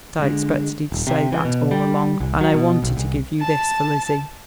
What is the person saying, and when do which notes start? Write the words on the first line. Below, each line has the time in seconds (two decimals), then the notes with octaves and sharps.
"But I expected he'd say that all along, and I wanted to give you this for Lizzie."
0.19 D3 G#3
0.92 D#1
1.07 C3
1.32 E3
1.45 B2
1.71 G3
2.20 C2
2.41 F#3
2.54 B2
2.83 B1
2.97 C2
3.40 A5